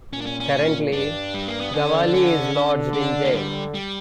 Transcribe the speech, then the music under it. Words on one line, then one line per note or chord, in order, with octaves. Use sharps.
Currently, Gawali is lodged in jail.
A#2 C#4
D4
C#4
C#4
G2 D4
G3
A#3
B3
D3 C#4
D4
C#4
D3
D4
A#3
D3 G3
G3